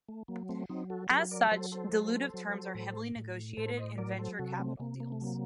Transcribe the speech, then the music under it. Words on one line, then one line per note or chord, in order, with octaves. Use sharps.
As such, dilutive terms are heavily negotiated in venture capital deals.
A3
F#3 A#3
A3 C4
F#3 C4 D#4
F#4 A4
F#3 G4 A#4
A#4 D5
F#3 A4 C5
A4 C5
F#3
F#3
A2
A2
A2 A4 C5
C5 D#5
F#3 A#4 D5
A4 C5
C3 F#4 A4
A3 C4
C3 A#3
A#3
A3
F#3 A#3